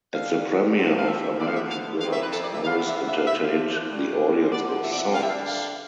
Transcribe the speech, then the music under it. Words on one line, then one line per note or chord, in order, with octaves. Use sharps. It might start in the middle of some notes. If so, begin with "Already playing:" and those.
At the premiere of "American Girls" Morris entertained the audience with songs.
E2 D3 G3 F5
C3 F3 C4
F5
E5
E5
D2 D3 F3 B3 D5
F5
E5
F5
F2 C3 F3 C4 E4 F5
E5
B4
A4
D5
E5
D2 C3 E3 B3 D4 F5
E5
F5
E5
F5
E2 D3 F3 E5
F5
A2 G3 D4
C5
F2 C3 F3 B3 D5
D5
C5
E5
D5
E5
D3 G3 D4 F5
E5
F5
F5